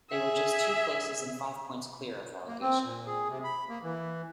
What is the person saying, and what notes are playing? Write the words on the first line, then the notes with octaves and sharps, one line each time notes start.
They were just two places and five points clear of relegation.
G#4 E5
A#3
C4
A#2
G#4
C3
B5
A#3
E3